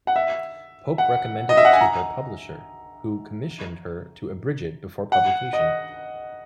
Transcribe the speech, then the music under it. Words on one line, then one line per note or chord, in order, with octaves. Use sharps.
Pope recommended it to her publisher, who commissioned her to abridge it before publication.
F#5
E5
F#5
D#5
E5
F#5
G#5
A#5
F#5
D#5